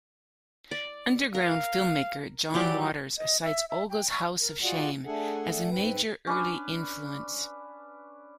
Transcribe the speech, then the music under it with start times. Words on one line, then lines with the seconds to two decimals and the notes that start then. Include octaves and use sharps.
Underground filmmaker John Waters cites "Olga's House of Shame" as a major early influence.
0.71 D5
1.35 A#4 F5
2.54 E3 F#3 G4 D5
3.18 D#5
3.43 E5
3.69 E5
3.90 G5
4.10 C#6
4.41 A#4
4.63 F4 F#4 G#4 D5 D#5 F#5
5.06 A3 D4 G#4 A4 F#5 G#5
5.70 G#2 C4 B4
6.27 C#4 D4 B4 D5